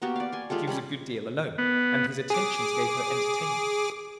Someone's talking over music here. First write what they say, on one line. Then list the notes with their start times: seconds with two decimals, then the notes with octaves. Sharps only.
She was a good deal alone, and his attentions gave her entertainment.
0.02 A#3 B3 F#4 G4
0.16 D5 F5
0.32 G#5 C6
0.50 G#3 F4 G4 A4
0.67 G3 C#4 B5 C6
1.58 B3
2.30 G#4 D6